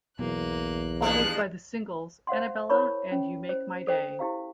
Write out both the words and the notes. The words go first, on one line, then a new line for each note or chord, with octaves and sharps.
Followed by the singles: "Annabella", and "You Make My Day".
B1 E2 B2 A#3 F#6
G2 F3 G#3 F#6
C5 F5 F#5 C6
E4 A#4 C5 C#5 B5 C#6
C#4
C5
A4 C5 G5
E4 G4 F5 A#5